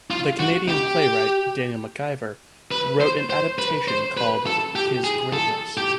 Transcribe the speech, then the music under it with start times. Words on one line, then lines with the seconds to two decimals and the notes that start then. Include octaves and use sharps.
The Canadian playwright Daniel MacIvor wrote an adaptation called "His Greatness".
0.11 F4
0.39 F#4
0.69 G4
2.71 B4
3.01 C5
3.30 C5
3.59 B4
3.88 C5
4.17 B4
4.46 A4
4.76 G4
5.04 G#4
5.33 A4
5.77 G4